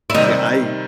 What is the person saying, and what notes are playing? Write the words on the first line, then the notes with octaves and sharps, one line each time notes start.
See I
E4
C3 D#3 G3 D#4